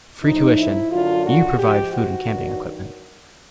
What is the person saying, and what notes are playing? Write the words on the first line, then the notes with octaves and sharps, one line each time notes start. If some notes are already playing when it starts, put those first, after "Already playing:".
Free tuition --- you provide food and camping equipment.
A2 F3 D#4
E4
F#2 D3 F#3 F4
F#4
G#2 F3 G4
F#4
G2 D#3 F#3